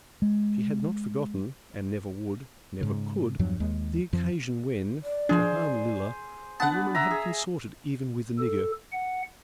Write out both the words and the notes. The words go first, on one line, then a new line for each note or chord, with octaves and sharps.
She had not forgotten--and never would--never could--the occasion when, to harm Lilla, the woman had consorted even with the nigger.
G#3
G#2 C#3
E2 G2 F3 F#3
D#2 G#3
F2 F3
D5
F3 D4 G#4 C5
B3 D4 F#5 A5
E5 A#5
G#4
A4
F#5